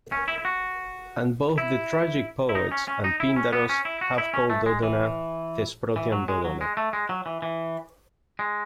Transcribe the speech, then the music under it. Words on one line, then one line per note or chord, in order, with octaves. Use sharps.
And both the tragic poets and Pindaros have called Dodona 'Thesprotian Dodona.
C#4
E4
E4
F#4
E4
E4
D#4
C#4
C#4
D#4
E4
C#4
B3
C#4
E4
F#4
E4
C#4
A3
G#3
E3
E3
F#3
G#3
F#3
G#3
A3
G#3
F#3
E3
E3
G#3